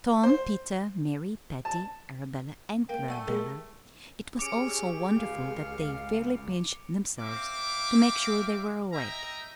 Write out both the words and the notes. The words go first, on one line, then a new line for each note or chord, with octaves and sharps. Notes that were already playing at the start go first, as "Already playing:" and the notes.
To Tom, Peter, Mary, Patty, Arabella, and Clarabella, it was all so wonderful that they fairly pinched themselves to make sure they were awake.
C5
A5
A#3 G5
A3 D5 F#5 G#5
G3 G#3 A#4
C#4 G4 G#4 D6 E6 C#7 D7
C#2 F5 F6
C4 E5 F5 D6
D#5 E5 G5 A#5